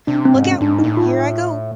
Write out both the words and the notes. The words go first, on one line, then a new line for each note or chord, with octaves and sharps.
Look out — here I go!
C3 D4
C4
G#2
C#4
G#2 D4
D#4
A#2
A2
F4